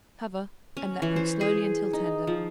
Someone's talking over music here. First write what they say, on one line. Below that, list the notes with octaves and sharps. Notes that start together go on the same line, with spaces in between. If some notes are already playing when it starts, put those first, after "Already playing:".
Cover and let cook slowly until tender.
C#4
E3
C5
G#4
D#4
F3